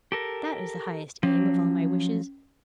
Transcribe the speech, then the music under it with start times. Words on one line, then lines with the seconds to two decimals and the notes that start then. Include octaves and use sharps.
That is the highest aim of all my wishes!
0.12 G4 A4 A#4
1.23 F3 F#3 C#4